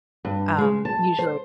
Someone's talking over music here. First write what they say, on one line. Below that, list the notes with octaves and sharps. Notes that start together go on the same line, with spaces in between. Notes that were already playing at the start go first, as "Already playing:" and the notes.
um, usually
G2
G#3
A5
C5